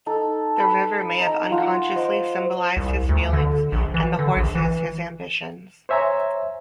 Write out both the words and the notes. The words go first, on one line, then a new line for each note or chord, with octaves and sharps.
The river may have unconsciously symbolized his feelings and the horses his ambitions.
D#4 A4
B4 B5
D#4 D#5 A#5
F3 F4 F#5
C5 D#5 D6
C2
D2
D3
A#1
E3
D3
A#1
E3
C5 C#5 E5 G#5 A#5